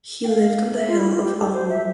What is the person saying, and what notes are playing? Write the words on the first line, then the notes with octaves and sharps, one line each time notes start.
He lived on the hill of Almu.
G5
F5
E5
F4
E4
F4
G4
A4
C5
E5